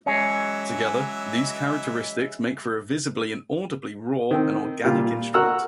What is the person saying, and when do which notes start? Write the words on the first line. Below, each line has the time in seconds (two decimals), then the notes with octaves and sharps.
Together, these characteristics make for a visibly and audibly raw and organic instrument.
0.06 E3 F#3 G#3 C#4 E5
4.31 D#3 C4
4.84 A#2 G3 F4 G4
5.34 F#4 A#4 F#5 A#5 E6 F6